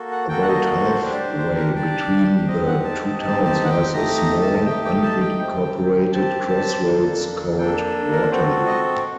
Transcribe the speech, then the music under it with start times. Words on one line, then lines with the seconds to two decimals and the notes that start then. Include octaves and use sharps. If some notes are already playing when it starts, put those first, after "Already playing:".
About halfway between the two towns lies a small, unincorporated crossroads called "Waterloo".
Already playing: A#3 F#4 A4
0.11 F#5
0.29 A#3 F#4 A4 G5
0.42 F#5
0.48 D#5
0.84 C5
1.02 D4 G4 C5
1.13 D5
1.20 C5
1.38 C5
1.56 A#4
1.75 D4 G4 D5
2.48 C4 D#4 G4 D#5
2.67 F#5
2.84 A5
3.02 A5
3.20 C4 D#4 G4 A5
3.45 A5
3.64 F#5
3.69 G5
3.93 A3 D#4 G4 A#5
4.18 A#5
4.42 A5
4.66 A3 D#4 G4 G5
4.85 G5
5.03 A5
5.21 G5
5.39 C4 G4
6.12 C4 G4 A5
6.48 A5
6.85 A#3 D4 A4
7.58 A#3 D4 A4 G5
8.12 A#4
8.31 C4 F#4 A4 C5
8.67 D#5